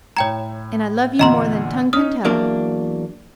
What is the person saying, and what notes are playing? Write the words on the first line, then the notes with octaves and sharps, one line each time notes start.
And I love you more than tongue can tell.
A2 C#5 G5 A#5 G#6
E2 A#2 D3 D#5 A#5 C6
C#4 D#4 D#6 F6
E2 F#3 A#3 D4